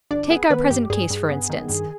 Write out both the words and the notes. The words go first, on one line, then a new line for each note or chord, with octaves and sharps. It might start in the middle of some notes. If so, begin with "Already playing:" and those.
Take our present case, for instance.
G1 D4 D5
B3 G#4
D#3 B3 B4
G2 G4
G2 G#4
G2
B3
D#3
G2